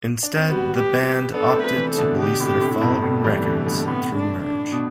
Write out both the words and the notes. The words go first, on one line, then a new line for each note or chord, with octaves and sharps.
Instead, the band opted to release their following records through Merge.
D4
C4
G3 B3 F#4
G4
G4
B3 D4 A4
A3 C4
B4
C3 E3
A4
B2 D3
B2 D3 G4
A2 C3
G4
D3
A2 C3
E4
G2 B2
A2 C3 A3
E3 G3
D3
C3 E3
B2 D3
B2
A2 C3 B3
D4
D4
B2